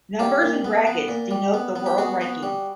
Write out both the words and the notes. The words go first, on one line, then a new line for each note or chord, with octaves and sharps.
Numbers in brackets denote the World ranking.
G3 F4 G4
A#2
B3
B3
A#2
G3
B3
B3
G4
B3 F#4 G#4
B3
G3